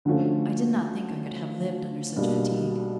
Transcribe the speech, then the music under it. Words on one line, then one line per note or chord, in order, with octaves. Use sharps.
I did not think I could have lived under such fatigue.
D2 D3 F3 A3 C#4
B1 B2 G3 A#3 D4